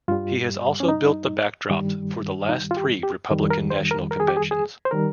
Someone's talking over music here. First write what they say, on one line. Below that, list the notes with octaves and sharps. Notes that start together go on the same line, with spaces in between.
He has also built the backdrops for the last three Republican National Conventions.
G2 G3 F4
C#4
D#4
G2 D#3 G3
D#4
F4
G4
G4
F2 D#3 G3
A#4
C5
A#4
A#4
G#4
G4
G#4
G#4
C5
D#3 G3 A#4